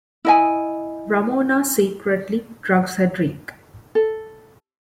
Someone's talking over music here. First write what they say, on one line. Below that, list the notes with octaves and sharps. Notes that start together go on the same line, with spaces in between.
Ramona secretly drugs her drink.
E4 D#5 G#5
A4